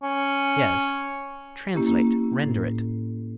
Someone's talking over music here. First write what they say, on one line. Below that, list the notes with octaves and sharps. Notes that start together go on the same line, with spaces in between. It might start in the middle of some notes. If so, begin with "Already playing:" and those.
"Yes, translate, render it."
C#4
A#3 C#4 E4 G4
A2